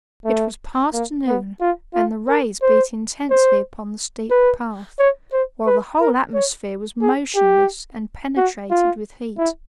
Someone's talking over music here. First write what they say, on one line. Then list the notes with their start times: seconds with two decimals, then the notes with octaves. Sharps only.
It was past noon and the rays beat intensely upon the steep path, while the whole atmosphere was motionless and penetrated with heat.
0.25 A3
0.93 A#3
1.27 B3
1.61 F4
1.94 F4
2.29 A#4
2.62 C5
3.30 C5
4.31 B4
4.99 C#5
5.33 C5
5.67 B4
6.01 A#4
6.34 C#5
7.02 G#4
7.36 G4
8.37 F#4
8.71 F4
9.38 E4